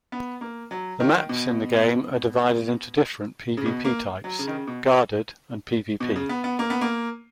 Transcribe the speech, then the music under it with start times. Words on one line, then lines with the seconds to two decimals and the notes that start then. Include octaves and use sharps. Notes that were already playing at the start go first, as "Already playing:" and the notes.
The maps in the game are divided into different PvP-types - Guarded and PvP.
0.12 B3
0.41 A#3
0.71 F#3
1.00 D#3
1.29 B2
3.57 C#3
3.66 B2
3.85 A#3
4.24 F#3
4.39 C#3
4.47 D#3
4.53 C#3
4.67 B2
6.00 B2
6.16 C#3
6.29 B3
6.44 B3
6.59 A#3
6.70 B3
6.81 A#3